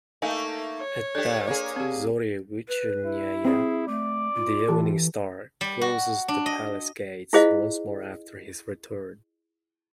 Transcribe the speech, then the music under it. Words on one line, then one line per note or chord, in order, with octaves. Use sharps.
At dusk, Zorya Vechernyaya—the Evening Star—closes the palace gates once more after his return.
A3 A#3 D#4 A4 F5 G#5
C#5
D4 G4 A4
A#3 G#4
C4 G4
B4
E4
C4 G#4
A3 D5
F4
E3 G4 A4
G3
F#4
D4
D#5
E4 F4 G#4 C5 D#5 F5